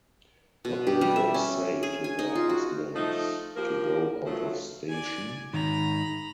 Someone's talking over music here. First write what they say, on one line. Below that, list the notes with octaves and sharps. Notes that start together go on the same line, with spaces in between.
What will they say to their husbands to go out of station?
B2
G4
G3
E5
C#4
G#4
G#5
D#4
F4
F#4
F3 A3 D#4
F3 A#3 G4 A#4
F3 F#3 A3
D5 G#5
G#2 D#3 A#5 B5